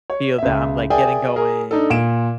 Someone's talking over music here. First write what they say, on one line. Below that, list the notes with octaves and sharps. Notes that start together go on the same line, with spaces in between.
feel that I'm, like, getting going,
C#5
C#2 E5
G#4 A#4 D5 E5 G5 G#5
G#4 A#4
D4 D#4 A4
A#2 D7 E7